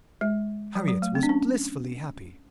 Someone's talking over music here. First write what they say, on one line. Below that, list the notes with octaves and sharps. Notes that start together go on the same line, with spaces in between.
Harriet was blissfully happy.
G#3
F#3
F#3
A3
C4
D4
C#4